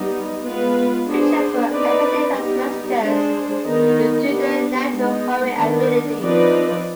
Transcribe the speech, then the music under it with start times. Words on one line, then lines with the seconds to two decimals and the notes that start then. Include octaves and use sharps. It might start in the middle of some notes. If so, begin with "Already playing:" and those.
Pigeons were effective as messengers due to their natural homing abilities.
Already playing: G3 B3 D#4
0.42 G#3 B3 F4 B4
1.07 B3 D4 G#4 C5
1.70 C4 D#4 B4 D5
2.35 G3 B3 D#4 G4
3.00 G#3 D4 G#4 C5
3.64 D#3 B3 D#4
4.28 B3 D4 G4
4.93 G#3 B3 D#4
5.57 D#3 B3 D4
6.21 F3 C4 D#4 B4 D5